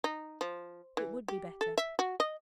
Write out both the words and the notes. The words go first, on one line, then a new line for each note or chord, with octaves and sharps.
It would be better.
D#4
F3
E3
G4
A4
E5
F#4
D#5